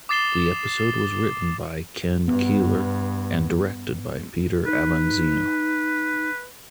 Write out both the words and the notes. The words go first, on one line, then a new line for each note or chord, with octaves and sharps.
The episode was written by Ken Keeler and directed by Peter Avanzino.
D6 D#6 A6 C7 E7 G7
G2 B3
D#4 B4